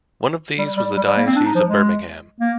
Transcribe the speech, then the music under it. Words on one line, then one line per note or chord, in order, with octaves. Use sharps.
One of these was the diocese of Birmingham.
G3
G3
G3
G3
A#3
C4
D4
D#4
F3
G#3
A#3